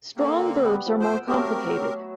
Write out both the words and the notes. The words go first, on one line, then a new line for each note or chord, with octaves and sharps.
Strong verbs are more complicated.
D3 A#3 C4
G3 B3 F#5
F3
F3 C5 F#5 G5 E6
F#3 A3 C4 G4 A#4
F#3